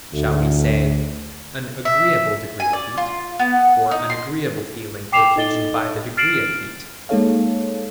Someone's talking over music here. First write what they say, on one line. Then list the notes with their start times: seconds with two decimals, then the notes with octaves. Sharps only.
Shall we say an 'agreeable degree of heat,' or an 'agreeable feeling' occasioned by the degree of heat?
0.12 D2
1.85 E5
2.60 G#5
2.73 D5
2.97 F4
3.39 B3
3.91 D#4
4.10 C6
5.12 G5 D6 C7 E7 F7
5.36 D#4 A4 D#5 A6 G7
6.17 F6 A6 C7 D7 E7 F#7
7.09 G#3 A#3 D#4 A4 C#5 F5